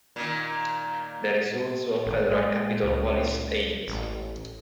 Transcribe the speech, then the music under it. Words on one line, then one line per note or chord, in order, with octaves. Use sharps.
There is also a federal capitol police agency.
A#2 D#3
G#1
G#3
C#2
A1